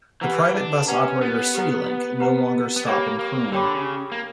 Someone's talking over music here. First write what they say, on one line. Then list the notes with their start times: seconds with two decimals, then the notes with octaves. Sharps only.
The private bus operator Citylink no longer stop in Croom.
0.21 E3 G4 B4 F#5 A#5
0.55 D4
0.87 C#4 G4 B4 F#5 A#5
1.21 B3
1.54 G4 B4 F#5 A#5
2.20 G4 B4 F#5 A#5
2.76 B3
2.86 A#3 G4 C#5 G5 B5 D6
3.19 A#3
3.52 D3 G4 C#5 G5 B5 D6
3.74 C#3
4.12 A#3